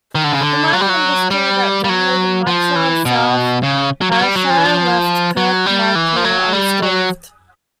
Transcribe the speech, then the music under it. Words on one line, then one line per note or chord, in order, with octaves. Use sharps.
The mining industry that dominated much of South Ayrshire left Kirkmichael unscathed.
D#3
D3
C#3
D3
F#3
G3
F#3
G3
G3
F#3
F3
E3
B2
C#3
F#3
F#3
G3
F#3
F3
E3
F3
F#3
G3
E3
F3
F#3
G3
F#3